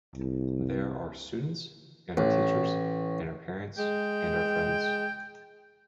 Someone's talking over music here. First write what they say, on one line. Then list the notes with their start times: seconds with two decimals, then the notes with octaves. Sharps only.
They're our students and our teachers and our parents and our friends.
0.15 C2
2.17 A1
3.78 G#3 G5